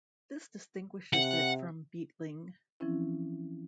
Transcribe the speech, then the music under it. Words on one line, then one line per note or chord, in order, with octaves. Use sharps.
This distinguishes it from Beetling.
C3 F#5
E3 F3 C4 C#4 E4